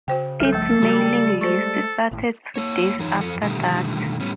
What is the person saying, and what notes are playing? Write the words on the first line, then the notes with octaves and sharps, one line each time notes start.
Its mailing list started two days after that.
C#3 F#4 C5 G5
C2 D3 F#3 G3 A4
F#1 C#2 F3 A3 A4
C#3 G3 G#3 F#4
G#3 A3 A4 C5 C#6
G#1 A2
A#3 C#5
F#2 E3 D#4 C#5
F2 A4
B2 D3 D#3 G3 A3 G4
A2 G3 B3 C#4